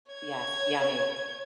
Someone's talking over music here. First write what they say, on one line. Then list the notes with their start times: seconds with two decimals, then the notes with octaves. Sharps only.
Yes, yummy.
0.12 C#5 G#6